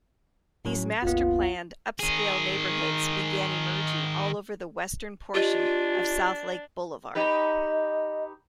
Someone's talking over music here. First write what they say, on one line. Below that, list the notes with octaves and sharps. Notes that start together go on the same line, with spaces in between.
These master-planned upscale neighborhoods began emerging all over the western portion of Southlake Boulevard.
A2 F#3 C#4
G#1 D#2 B3 F4
D#3 G#4
D4 F4 G4 D#5
D#4 G4 B4 D#5